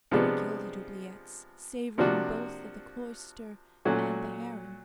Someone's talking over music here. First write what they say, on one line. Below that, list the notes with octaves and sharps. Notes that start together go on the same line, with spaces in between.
They were gilded oubliettes, savouring both of the cloister and the harem.
C3 F3 G#3 B3 D4
C3 F3 A#3 D4 F#4
A#2 F#3 A3 C#4 F#4